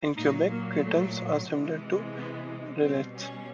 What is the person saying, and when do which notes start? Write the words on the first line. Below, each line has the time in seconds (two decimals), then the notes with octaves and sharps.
In Quebec, cretons are similar to rillettes.
0.17 A#2 F#3 D#4
0.51 A#3
0.84 A3
1.49 C3 E3 G#3
2.16 B3
2.82 B2 G3 C4
3.15 C#4